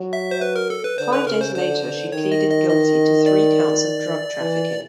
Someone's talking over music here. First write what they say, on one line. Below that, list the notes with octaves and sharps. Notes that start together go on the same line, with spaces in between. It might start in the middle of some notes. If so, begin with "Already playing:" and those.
Five days later she pleaded guilty to three counts of drug-trafficking.
Already playing: F#3
E5
C5
B4
A#4
A4
B4
D3 C5
B4
C#3 A#4
C5
D3 C5
D3
D#3 C#5
D#5
D#5
D#5
D5
E3